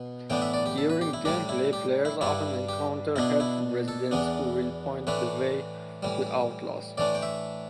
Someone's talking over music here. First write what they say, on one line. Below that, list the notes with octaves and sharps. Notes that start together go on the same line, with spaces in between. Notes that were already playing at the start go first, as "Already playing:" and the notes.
During gameplay, players often encounter helpful residents who will point the way to outlaws.
Already playing: B2 B3
A2 E3 B3 D4 G5
E5
D5
G4
A4
B4
G4
E4
A2 G3 D4 G4
E4
G4
E4
G2 G3 D4 E4
G4
B2 B3 D4 E4
E4
A4
E2 E3 B3 D4
A2 E3 A3 D4 B4
A2 E3 G3
A2 E3 A3 D4 D5
G5
E5